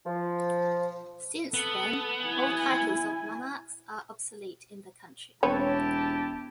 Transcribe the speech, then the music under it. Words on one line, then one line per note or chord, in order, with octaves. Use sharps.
Since then, all titles of monarchs are obsolete in the country.
F3
B3 A4
E4 G#5
E1 C4 E4 G4 B4 C#5 A5